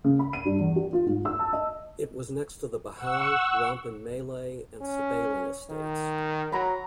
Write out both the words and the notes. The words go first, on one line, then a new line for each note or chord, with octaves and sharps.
It was next to the Bahau, Rompin Malay and Sebaling estates.
C#3
B5
D#7
G2
E2
G4
F4
G#2
E6
A5
D#5
F#5 C#6 E6
C#4
D#3
F#3 A#5 B5